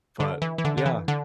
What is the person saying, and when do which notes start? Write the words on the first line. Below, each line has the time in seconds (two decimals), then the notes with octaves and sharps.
but yeah.
0.20 D3
0.42 E3
0.58 E3
0.65 D3
0.77 D3
0.86 E3
1.08 D3